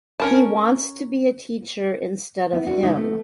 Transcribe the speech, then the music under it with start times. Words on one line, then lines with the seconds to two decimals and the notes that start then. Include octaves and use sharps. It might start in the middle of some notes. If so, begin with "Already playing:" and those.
He wants to be a teacher instead of him.
0.20 C#4 A#4 A5
2.53 B3 E4
2.67 D4 F#4
2.82 C#3 G#3 D4 D#4
2.96 A3 B3